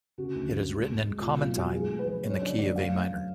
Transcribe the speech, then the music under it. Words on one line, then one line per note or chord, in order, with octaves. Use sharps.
It is written in common time in the key of A minor.
C#3 F#4
D2
F3
G#3
F1
G#3
B2 F4
F#3 F4
F#3 F#4
G#1 G#4
A3
B4
F3
F#2 C#5
D3 D5
F#2 D5
F1 F5
A3